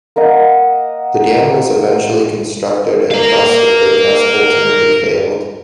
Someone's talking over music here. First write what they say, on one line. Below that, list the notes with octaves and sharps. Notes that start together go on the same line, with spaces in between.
The dam was eventually constructed and thus the protest ultimately failed.
A#3 A#4 D#5 F#5
A#4 F5